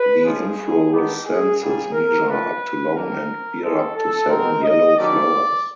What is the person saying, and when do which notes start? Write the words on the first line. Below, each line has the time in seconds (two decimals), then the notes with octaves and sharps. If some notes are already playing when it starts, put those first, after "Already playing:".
The inflorescences measure up to long and bear up to seven yellow flowers.
Already playing: B4
0.23 C#3 F3 G#3 G#4
0.91 D#3 G#3 B3 D4 G4
1.25 G#4
1.59 A#2 G3 A#3 G#4
1.92 A#4
2.26 F3 A3 D4 F4 B4
2.94 D#3 G3 A#3 D4 F4 A#4
3.62 E3 G#3 C#4 A4
3.95 A4
4.29 B2 G#3 C4 A#4
4.63 D#5
4.96 D#3 F#3 A3 C#4 D5